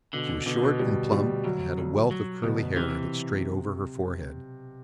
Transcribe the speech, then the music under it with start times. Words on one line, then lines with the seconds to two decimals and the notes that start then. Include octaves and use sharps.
She was short and plump and had a wealth of curly hair that strayed over her forehead.
0.13 B2 D3
0.46 B2 D3
0.63 B2
0.79 D2 G3
1.12 D2 G3
1.44 D2 F#3
1.78 D2
2.11 F#3
2.43 D2 B2
2.76 C3 E3